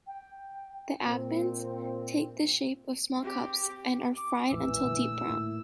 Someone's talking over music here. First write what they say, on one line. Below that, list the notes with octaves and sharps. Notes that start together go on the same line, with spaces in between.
The appams take the shape of small cups and are fried until deep brown.
G5
A#2 C4
C4 G4
D6
A#1 F2 A2 E3 E6
A#2 D3 A3
A2 A#3 E4